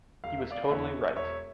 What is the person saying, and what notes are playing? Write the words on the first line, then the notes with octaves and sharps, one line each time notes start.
He was totally right.
E1 F5
E5
D5 F5
E2 E3 C#5 E5
E1 C#5 E5